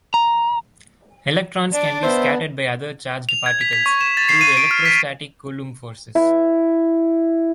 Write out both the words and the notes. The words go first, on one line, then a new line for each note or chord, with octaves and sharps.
Electrons can be scattered by other charged particles through the electrostatic Coulomb forces.
A#5
D4 D5
B3 C5 E5
F7
G#6
B6
B6
C#6
E7
A6
C7
D#7
D7
F6
B6
E4